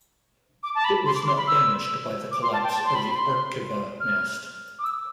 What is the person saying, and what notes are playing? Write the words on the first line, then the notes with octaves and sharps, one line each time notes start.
It was not damaged by the collapse of the Arqiva mast.
D6
A5
B5
C6
D6
C6
B5
E6
D6
C6
A5
G5
A5
C6
B5
B5
C6
F6
D6
E6